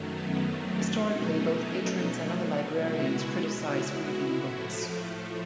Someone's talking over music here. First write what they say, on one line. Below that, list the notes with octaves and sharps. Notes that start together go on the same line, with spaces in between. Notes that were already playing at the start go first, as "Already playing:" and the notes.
Historically, both patrons and other librarians criticize weeding books.
Already playing: F#2 D#3 F#3 A3
B3 C#4
C4 D4
B2 F#3 A3 C#4 D#4
B2 G#3 E4 F#4
E4 F#4
A2 F3 A3